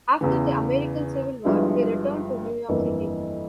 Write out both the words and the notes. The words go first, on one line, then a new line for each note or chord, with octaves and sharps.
After the American Civil War he returned to New York City.
E2 C#3 E3
G1 G2 F3 G#3 E4
G1 F2 E3 A#3